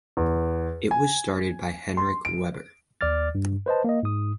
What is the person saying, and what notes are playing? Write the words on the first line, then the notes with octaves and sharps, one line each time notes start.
It was started by Henrik Weber.
E2
G#5
C6
D7
D#2 D5 D6 F6 A6
G2
B4 C5 D#5 A5
A#3 D#5
G#2 D#6